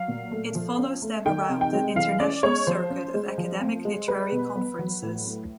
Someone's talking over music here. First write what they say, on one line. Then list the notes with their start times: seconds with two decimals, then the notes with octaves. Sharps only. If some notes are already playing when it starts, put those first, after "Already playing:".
It follows them around the international circuit of academic literary conferences.
Already playing: F#3 F5
0.08 A#2
0.31 A3
0.55 F3
0.78 C#4
1.02 A3
1.26 D#3 G5
1.49 C3
1.61 G5
1.73 G#3
1.96 E3 F5
2.20 C#4 D5
2.43 G#3 C#5
2.67 F3 C5
2.90 C#4
3.14 G#3
3.38 F3
3.61 C4
3.85 G#3
4.08 G3 B4
4.32 B2
4.56 B3
4.79 F#3
5.02 A2
5.26 A3